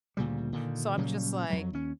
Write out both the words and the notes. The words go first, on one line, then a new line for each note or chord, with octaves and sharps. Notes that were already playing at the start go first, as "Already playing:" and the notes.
So I'm just like
D2 A#2 C#3 G3
A#2 D3 D#3
A#2 C#3 F#3 G3
F2 F#3
D#2 C#4